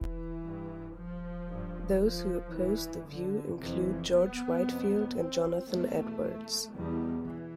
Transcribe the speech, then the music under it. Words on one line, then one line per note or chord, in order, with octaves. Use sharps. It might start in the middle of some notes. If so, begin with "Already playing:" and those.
Those who opposed the view include George Whitefield and Jonathan Edwards.
Already playing: E3
G2
F3
G2
F3
G2 E3
D3
F2 C3 E3
B3
F2 C3
C4
E2 B2 A3
E2 B2 G3
E3